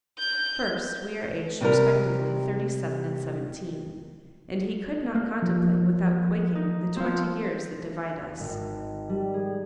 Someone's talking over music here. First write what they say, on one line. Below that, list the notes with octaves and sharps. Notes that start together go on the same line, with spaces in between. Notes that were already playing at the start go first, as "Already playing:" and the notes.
First, we are aged respectively thirty-seven and seventeen; and he could not contemplate without quaking the twenty years that divide us.
G6
C3 G3 A#4
A#3
F3
D#4
F3 C4
G#1
G3
G#4